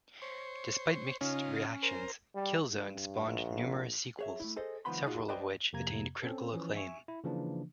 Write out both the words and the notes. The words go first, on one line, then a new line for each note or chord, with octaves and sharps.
Despite mixed reactions, "Killzone" spawned numerous sequels, several of which attained critical acclaim.
C5 C#5
C#3 C#4 D#4 F4
A#4 C5
G3
G2
A#1
G#4 C#5 E5
A3 E4
G#4 A4 C5 D#5
C2 D#3 F3 B3 B5 C6
D#4 F4 F#4 G#4
B4 C5 D5 D#5 G5
F2 C3 A#3 A#5 G#6
C4 C#4 A4
E3 F3 C#4
E5 G#5 C#6
E4
C#3 E3 F3 A#3 D4